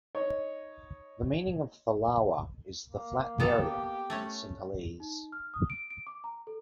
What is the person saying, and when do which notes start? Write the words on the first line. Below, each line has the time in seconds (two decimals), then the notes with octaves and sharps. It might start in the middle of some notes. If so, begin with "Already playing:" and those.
The meaning of "Thalawa" is the flat area in Sinhalese.
0.15 D#4 C#5 D#5
2.87 A#3
3.40 B3 G4 A4 A#5
4.10 A3 C#4 C#5
5.00 D#4
5.32 F6
5.54 D#6
5.70 D7
5.90 D7
6.07 D6
6.24 A#5
6.47 A4